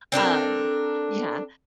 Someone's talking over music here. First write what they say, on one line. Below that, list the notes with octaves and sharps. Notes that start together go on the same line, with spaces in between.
Um, yeah.
C4 D4 A4 A#4